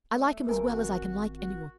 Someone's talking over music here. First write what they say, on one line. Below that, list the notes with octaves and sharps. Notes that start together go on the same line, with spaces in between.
I like him as well as I can like any one.
A3
G#1 A#4 G#5 A#5
F#4
F#4